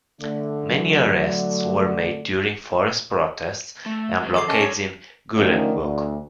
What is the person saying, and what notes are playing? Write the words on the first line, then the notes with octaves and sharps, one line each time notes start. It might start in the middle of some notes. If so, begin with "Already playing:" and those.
Many arrests were made during forest protests and blockades in Goolengook.
D3 A3
F#3
A3
G#3 G4 B4
D#3 F3 G#4 A4 D6 C7
C#4 D#5 A5
G2 F#3 C#5 C#6
D3 D#3 F3 A3 C#4
D2